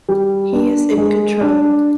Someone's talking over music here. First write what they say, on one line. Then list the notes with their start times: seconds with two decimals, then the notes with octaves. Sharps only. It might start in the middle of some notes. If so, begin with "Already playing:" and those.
He is in control.
0.09 G3
0.53 D4
0.97 G#3
1.41 D4